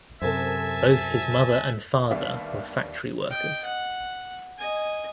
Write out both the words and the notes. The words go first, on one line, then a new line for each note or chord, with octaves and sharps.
Both his mother and father were factory workers.
F#2 C3 A4 A#4 C5 E5 G#5 A5
D#2 G3 B3 D4 E5 F5
D#5 G5
F#5
D#5 G#5